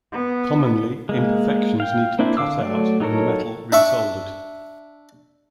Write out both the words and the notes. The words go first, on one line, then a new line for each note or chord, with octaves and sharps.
Commonly, imperfections need to be cut out, and the metal re-soldered.
B3
G#3 A#3
F5 G5
A#3 C4 D4 E4
D3 F5 D6 E6
F#3 A3 D5
F#3 D#4 A4 A#4 C#5
D4 E5 C#6